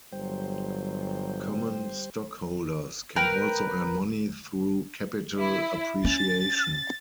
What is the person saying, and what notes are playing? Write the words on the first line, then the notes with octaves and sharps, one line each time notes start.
Common stockholders can also earn money through capital appreciation.
G1 F#3 G3 C5 G5
A#4 B4 G5
E4
C#4 A6